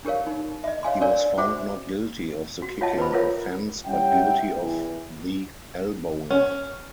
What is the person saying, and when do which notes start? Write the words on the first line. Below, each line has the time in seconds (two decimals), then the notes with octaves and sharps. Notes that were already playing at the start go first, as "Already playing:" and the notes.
He was found not guilty of the kicking offence, but guilty of the elbowing.
0.05 D4 G4 A#4 C#5 F5
0.27 D#4
0.64 D#5 E5
0.83 C#5 F5 G#5 C6
1.01 D4 A#4 C#5 D5 F5 G#5
1.38 D4 F#4 C5 E5 F#5 D6
2.62 F#4
2.81 F4 C#5 D#5 E5 A5
2.98 B4 C5 B5
3.12 E4 F4 A4 A#4 C#5 E5
3.86 G3 C#4 E4 E5 F#5 G5
4.61 E2 E3
6.31 C#4